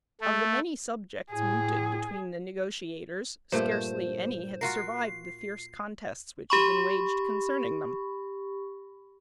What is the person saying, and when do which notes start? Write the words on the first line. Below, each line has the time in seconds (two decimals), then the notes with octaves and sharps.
Of the many subjects mooted between the negotiators scarcely any had survived the fierce contests which had been waged concerning them.
0.21 A3
1.32 A2 G#4
3.52 G2 A#2 A3 C5
3.71 C5
4.61 F4 F#4 A#4 C7
6.50 G4 B5 C#6